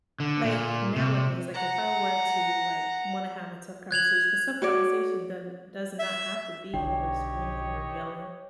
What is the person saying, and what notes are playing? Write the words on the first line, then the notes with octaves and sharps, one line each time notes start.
like, nowadays, like, if I were to, like, h wanna have a tough conversatio 'cause tough conversation doesn't does not have to be, "we're screaming, we're yelling,"
D3
A#2
C3
F#5 A#5
F#6 G#6 F7 F#7
F#4 C#5 D5
E5
B1 D3 G4 C#5 D#5 G5